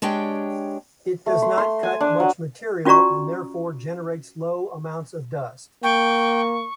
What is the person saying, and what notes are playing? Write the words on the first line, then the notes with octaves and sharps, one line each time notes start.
It does not cut much material and therefore generates low amounts of dust.
G#3 D4 G4 C#5 G5
A3
C6
C6
G#5
D4
F#3
C#4 F4 F#4 D5 A#5 C#6
A#3 G5 C#6